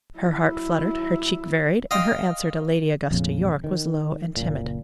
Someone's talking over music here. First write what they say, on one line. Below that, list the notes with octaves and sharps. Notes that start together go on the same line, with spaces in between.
Her heart fluttered, her cheek varied, and her answer to Lady Augusta Yorke was low and timid.
F#3 E4
D#5 F5 G5 C6 D#6
A#1 F2 A2 C#3
D#3
F#1 A#2